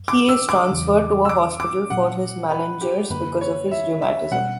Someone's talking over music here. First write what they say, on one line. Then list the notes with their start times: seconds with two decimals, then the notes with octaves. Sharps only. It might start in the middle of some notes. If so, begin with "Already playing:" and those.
He is transferred to a hospital for malingerers because of his rheumatism.
Already playing: F#2
0.08 D6
0.29 E6
0.49 D6
0.70 E2 C#3 E3 G3
1.25 E6
1.29 D6
1.60 D6
1.90 A#2 F#3 C#4 F#5
2.50 B4
2.81 G4
3.10 F#2 D3 A#3 B4
3.41 C#5
3.71 E5
4.02 E5
4.31 B2 G3 C#4 F#5